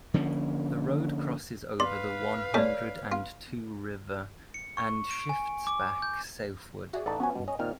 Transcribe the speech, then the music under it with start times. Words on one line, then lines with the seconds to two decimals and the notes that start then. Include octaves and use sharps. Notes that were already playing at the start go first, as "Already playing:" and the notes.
The road crosses over the One Hundred and Two River and shifts back southward.
0.14 D3 F3 A#3 C#4
1.80 B4 D5 F5 C6
2.54 G#2 A3 C#5 D5
3.12 F4
4.54 C#7
4.77 C#6
5.11 D7
5.29 G#5
5.67 D6
6.02 G6
6.93 F#4 G#4 D5 E5
7.06 A1 D#4 A4 B4 D5 A5
7.20 F3 B3 C#4 F#4 G#5
7.35 G2 B2 G3
7.48 C#4 D#5
7.59 A#2 D#3 C4 F6